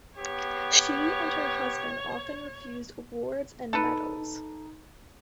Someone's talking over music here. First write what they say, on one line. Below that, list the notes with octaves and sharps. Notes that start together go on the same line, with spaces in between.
She and her husband often refused awards and medals.
B3 G4 C#5
D#4 A4 B4